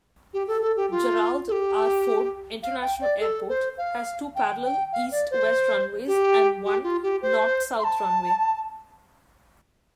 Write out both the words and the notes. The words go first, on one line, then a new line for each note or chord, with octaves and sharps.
Gerald R. Ford International Airport has two parallel east-west runways and one north-south runway.
G4
A4
A4
G4
F4
A4
G4
F5
G5
D5
A4
C5
F5
G5
G5
F5
D5
C5
G4
G4
F4
G4
C5
C6
A5